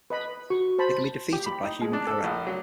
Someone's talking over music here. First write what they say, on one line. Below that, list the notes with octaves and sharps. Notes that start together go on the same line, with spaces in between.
They can be defeated by human error.
B4 D#5 B5
F#4 C#6
C5 A5 B5
G4
B5
D#4
G#3
D4
A4
A#1
F#3